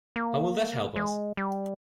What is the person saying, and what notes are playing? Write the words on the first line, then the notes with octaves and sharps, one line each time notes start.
How will that help us?
A#3
G#3
G3